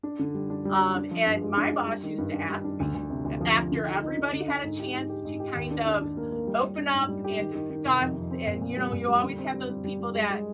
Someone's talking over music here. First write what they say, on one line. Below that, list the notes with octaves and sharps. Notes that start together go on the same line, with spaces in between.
Um, and my boss used to ask me a after everybody had a chance to kind of open up and discuss, and, you know, you always have those people that
D4
D3
G3
D4
G3
D4
D4
F3
G2
G#3
D4
D4
G3
D#3
G2
D4
G3
D4
D2
D2
C3
D2
F3
F3
D3
D#4
D#4
D3
D3
D3
G#2
G4
G#2
G4
G#2
G4
D#2
D4
D4
D4
A#3
A#3
G3
G3
D4
G#2
G3
G4
D#3
D#3
D#3
C3
F2
F2
C4
A#2
A#2
G3
A#2
G3
D3
C4
G3
G3
G3
G3
G#3
G#3